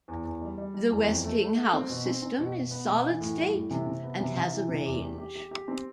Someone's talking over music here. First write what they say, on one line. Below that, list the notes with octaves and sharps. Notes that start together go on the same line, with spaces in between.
The Westinghouse system is solid state and has a range.
E2
E2
G3
G3
G3
E2
F2
A3
A3
A3
C4
B2
C4
C4
B2
B2
B3
B2
E3
A2
G3
A2
C3
C3
B3
C3
C3
E3
C3
E2
G4
G4
G4
G4
C4